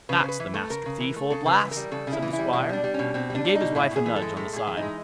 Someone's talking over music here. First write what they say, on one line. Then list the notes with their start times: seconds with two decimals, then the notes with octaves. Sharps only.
'That's the Master Thief, old lass!' said the Squire, and gave his wife a nudge on the side.
0.09 C#3 B4
0.20 C5
0.24 C#3 B4
0.40 E3
0.54 A3
0.70 C#3 A#4
0.86 C#3
1.00 E3
1.16 A3
1.30 C#3 A4
1.46 C#3 C5
1.51 B4
1.62 E3
1.71 A#4
1.77 G3
1.91 C#3 A4
2.07 C#3
2.13 E4
2.22 E3
2.33 E4
2.39 G3
2.53 B2 E4
2.69 G3 D4
2.84 G3
2.94 B2 C#4
3.14 B2 C4
3.30 G3
3.35 D4
3.45 G3
3.55 D#4
3.60 B2
3.75 A2 E4
3.91 A2 G#4
4.06 E3
4.16 A4
4.22 G#3
4.37 A2 A4
4.53 A2 G#4
4.67 E3
4.77 D#4
4.82 G#3